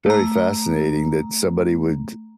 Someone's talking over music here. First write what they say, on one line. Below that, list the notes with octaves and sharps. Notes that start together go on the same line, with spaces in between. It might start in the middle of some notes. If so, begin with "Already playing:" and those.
very fascinating that somebody would,
A3 A#5